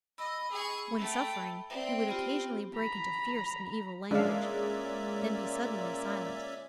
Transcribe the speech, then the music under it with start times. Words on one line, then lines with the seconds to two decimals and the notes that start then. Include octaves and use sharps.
When suffering, he would occasionally break into fierce and evil language, then be suddenly silent.
0.18 D#5 B5 E6
0.51 G#4 C#6
0.98 A3 G5
1.70 C4 D5 E5
2.10 B3 F4 G4
2.75 A#5 B5
4.11 A#2 G#3 C#4 D4 D5 E5 F5